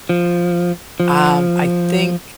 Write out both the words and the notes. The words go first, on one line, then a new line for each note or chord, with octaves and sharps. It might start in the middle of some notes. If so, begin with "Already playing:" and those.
i um, I think
F3
F3